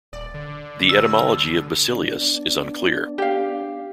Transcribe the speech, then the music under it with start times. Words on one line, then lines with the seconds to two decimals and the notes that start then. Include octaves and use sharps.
The etymology of "basileus" is unclear.
0.13 D#1 D5
0.34 D3
0.89 B2 F#3 E6
1.92 B3 D4 D5
3.18 G4 F5